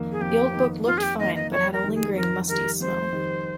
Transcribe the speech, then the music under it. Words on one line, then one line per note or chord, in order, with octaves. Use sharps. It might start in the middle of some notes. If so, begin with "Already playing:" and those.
The old book looked fine but had a lingering musty smell.
Already playing: F2 D#3 A#3
G#4
F2 G4
D#3 A#3
F2 F4
G#4
G4
D#3 A#3 D#5
D#5
F2 C#5
A#4
D#3 G3
G#4
F2 A#4
D#3 G3 A#4
F2 C5
D#3 G3